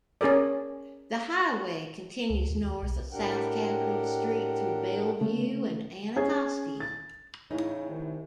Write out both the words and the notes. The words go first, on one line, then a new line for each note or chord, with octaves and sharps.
The highway continues north as South Capitol Street through Bellevue and Anacostia.
C#4 G#4 A#4 D5
C#2
D#2
B1
A2 D4 G4 A#4 F#5 G5
C#3 A3 C#4
C#4 G#4 G#6
A6
A2 C#3 E3 D#4
C2 D#3